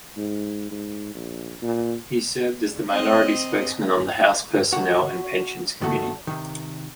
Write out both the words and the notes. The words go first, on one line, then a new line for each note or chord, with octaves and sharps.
He served as the minority spokesman on the House Personnel and Pensions Committee.
G#2
G#2
A#1
A#2
C4 D#5
F#4
G2 D#3 A3 F#4 A4
C3 D#3